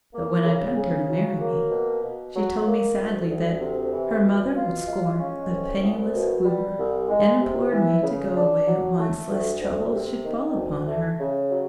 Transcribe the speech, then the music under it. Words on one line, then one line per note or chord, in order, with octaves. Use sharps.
But when I begged her to marry me, she told me sadly that her mother would scorn a penniless wooer, and implored me to go away at once, lest trouble should fall upon her.
A#3
C#3
C#3
F#3
A#3
B2
B2
F#3
A#3
D2
D2
C3
E3
B2
F4
G#3
C#4
C2
C2
B2
G3
C2
G#3
C3
E3
C#3
D4
F#3
A3
D2
D2
C3
D#3
D2
A3
C#3
F#3